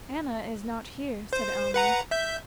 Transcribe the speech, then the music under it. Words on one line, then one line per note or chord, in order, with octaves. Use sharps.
"Anna is not here," said Alma.
C5
B4 F#5 A#5
E5 G6